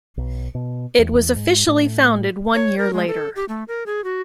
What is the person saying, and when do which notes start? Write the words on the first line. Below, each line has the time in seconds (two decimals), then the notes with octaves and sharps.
It was officially founded one year later.
0.17 B1
0.55 B2
0.98 E2
1.36 G#2
1.68 A2
2.54 C#5
2.78 A#4
2.93 G#3
3.08 A4
3.36 G4
3.49 A3
3.68 A#4
3.86 G#4
4.04 F#4